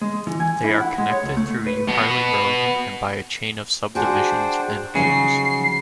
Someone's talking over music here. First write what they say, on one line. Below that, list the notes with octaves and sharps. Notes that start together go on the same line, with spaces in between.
They are connected through Euharlee Road, and by a chain of subdivisions and homes.
G#3
E3
G#5
E4
F#5
G#3
C#5
C#2
A3
B4
B2 B3
D4 F#4 G#4 C5 G5
C#3 F3 F#3 D#4 F#4 C7